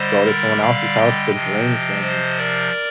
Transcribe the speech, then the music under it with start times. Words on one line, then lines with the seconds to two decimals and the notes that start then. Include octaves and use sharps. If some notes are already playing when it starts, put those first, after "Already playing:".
go to someone else's house to drink, and,
Already playing: D3 G3 C5 D#5
0.25 A#4 D5
0.61 D5 F5
0.96 D#5 G5
1.32 C3 F3
2.02 C5 D#5
2.37 A#4 D5